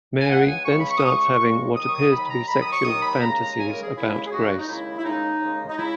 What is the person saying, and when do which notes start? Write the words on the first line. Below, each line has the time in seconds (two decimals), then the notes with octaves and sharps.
Mary then starts having what appears to be sexual fantasies about Grace.
0.20 G#5
0.29 C#2 C#3 G#3 F#5
0.42 F#5
0.47 G#5
0.65 C#2 C#3 G#3 C#6
0.78 B5
0.90 C#6
0.98 D#6
1.02 C#2 C#3 G#3 C#6
1.39 C#2 C#3 G#3
1.75 D#2 D#3 F#3 D#6
1.89 C#6
1.94 D#6
2.11 D#2 D#3 F#3 B5
2.26 B5
2.30 A#5
2.48 D#2 D#3 F#3 B5
2.60 D#6
2.73 C#6
2.85 D#2 D#3 F#3 D#6
3.03 B5
3.21 D#2 C#3 G#3 A#5
3.39 A#5
3.57 D#2 C#3 G#3 G#5
3.70 A#4
3.82 G#4
3.94 D#2 C#3 G#3 E4
4.27 G#4
4.30 D#2 C#3 G#3 F#4
4.58 D#4
4.67 D#2 C#3 G#3 E4
4.99 E4
5.04 D#2 C#3 G#3 D#4
5.40 D#2 C#3 G#3
5.69 D#4
5.77 C#3 G#3 E4